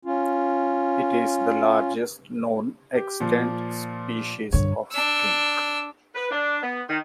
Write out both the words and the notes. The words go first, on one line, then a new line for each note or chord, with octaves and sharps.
It is the largest known extant species of skink.
C#4 F4
G4
A#2 F3
G2 D3 C#5
D4 E6
B4
D4
B3
D#3